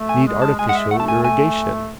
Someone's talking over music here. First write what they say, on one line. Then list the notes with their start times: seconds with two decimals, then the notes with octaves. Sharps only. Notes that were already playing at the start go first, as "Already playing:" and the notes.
Need artificial irrigation.
Already playing: A3
0.09 G#5
0.26 G#3
0.42 A5
0.59 G#3 G#5
0.69 F#5
0.75 E5
0.91 A3 F#5
1.00 A5
1.08 G#5
1.25 G#5